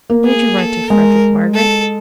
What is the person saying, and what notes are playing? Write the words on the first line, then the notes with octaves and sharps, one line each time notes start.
'When did you write to Frederick, Margaret?
A#3
G#4
A4
G#3 A#4
A4